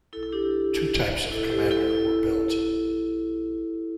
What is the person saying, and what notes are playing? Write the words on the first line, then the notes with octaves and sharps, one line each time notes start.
Two types of Commander were built.
E4 A4
E4 A4
D4 G4
E4 A4
G4 C5
E4 A4
E4